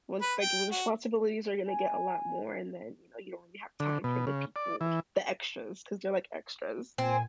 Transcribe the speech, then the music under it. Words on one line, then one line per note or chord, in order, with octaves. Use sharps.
Once the, like, re responsibilities are gonna get a lot more and then, you know, you don't really have time for the people, the extras, 'cause they're like extras.
B4
G5
F#4
G#5
D3
B2
C#3
D5
E3
A#2 C4 G#5